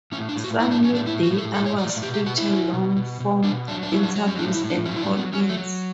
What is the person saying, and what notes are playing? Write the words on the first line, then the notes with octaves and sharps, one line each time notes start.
Some midday hours feature longer-form interviews and call-ins.
A2 C#4
D4
A2
F#4
A2 E4
D4
A2 C#4
D4
A2 E4
F#4
A2
A4
A2 A4
C#5
A2 D5
D5
B2 G4
G4
B2 F#4
E4
F#3
B2
B2
B2
B2 D4
F#3 D4
D4
F#3 E4
D4
F#3
C#4
A2 D4
E4
A2
D4
F#3 C#4
E4
D4
F#3
B3
F#3 C#4
A3
F#3